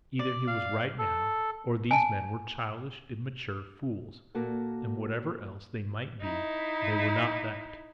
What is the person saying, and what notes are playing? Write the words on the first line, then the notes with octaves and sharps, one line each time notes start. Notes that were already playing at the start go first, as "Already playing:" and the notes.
Either he was right now, or these men were childish, immature fools--and, whatever else they might be, they were not that!
D5
F5
A4
G#5 A5
A#2 A#3 F#4 A4
D#4 E4